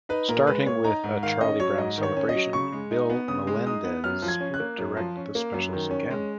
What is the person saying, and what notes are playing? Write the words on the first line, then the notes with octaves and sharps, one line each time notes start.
Starting with "A Charlie Brown Celebration" Bill Melendez would direct the specials again.
D#4 B4
A#2 A#4
G#3 B4
A#2 C#5
D#4 A#5
G#2
D#3 F5
C#4 D#5
F#3 C#5
G#2 D#5
D#3
C#5
C#4
D#5
F#3
C#3 C#6
G#3
D#4
B3
C#3 D#6
G#3
D#4 D#6
B3
F#2 F6
F3
G#6
C#4
F#6
A#3
F#2
F3
C#4
A#3
F#2
D#3
C#4
G#3